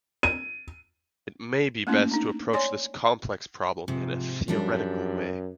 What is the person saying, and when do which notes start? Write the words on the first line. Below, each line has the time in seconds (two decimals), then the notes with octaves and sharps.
It may be best to approach this complex problem in a theoretical way.
0.23 D#7
1.87 A3 A#3 C#4 E4
2.11 D4 D#4
2.54 C#5 D5 G#5 C6
3.88 G#2 C3 F3
4.48 F#2 F3 G3 D4